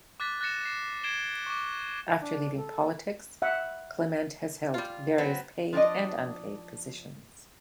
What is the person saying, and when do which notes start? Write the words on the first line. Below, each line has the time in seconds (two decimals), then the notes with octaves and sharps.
After leaving politics, Clement has held various paid and unpaid positions.
0.20 D6 F#6 A6 B6
0.41 F#6 A6 A#6 C#7 E7
0.65 C7 E7
1.04 G#6 C7 D7 E7 G7
1.46 C#6 D6
2.21 D4
2.58 A4
3.42 E5 F#5
4.74 G3 F4
5.18 F#3 B3 C4
5.73 F3 D4 G#4 D5 D#5